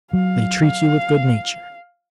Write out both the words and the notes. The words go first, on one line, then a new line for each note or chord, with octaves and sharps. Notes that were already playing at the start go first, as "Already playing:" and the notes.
They treat you with good-nature.
F#3 F5